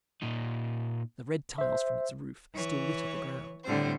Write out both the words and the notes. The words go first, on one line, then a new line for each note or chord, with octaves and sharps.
The red tiles from its roof still litter the ground.
A#2 D#4
C5 E5
E3 C#5
A2 D3 G3 C4 C5